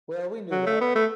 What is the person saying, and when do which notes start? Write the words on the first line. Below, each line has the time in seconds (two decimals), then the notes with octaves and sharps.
Well, we knew that.
0.51 F#3
0.66 A3
0.81 B3
0.96 A3